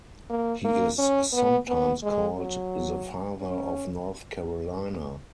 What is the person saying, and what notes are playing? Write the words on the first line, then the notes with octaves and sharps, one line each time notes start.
He is sometimes called the "father of North Carolina".
A#3
A#3
C#4
B3
B3
G#3
F#3
C#4